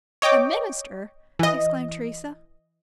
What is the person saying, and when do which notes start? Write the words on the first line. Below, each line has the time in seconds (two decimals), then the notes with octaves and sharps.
"A minister!" exclaimed Teresa.
0.22 C#5 D#5 G5 D6
1.39 E3 D#5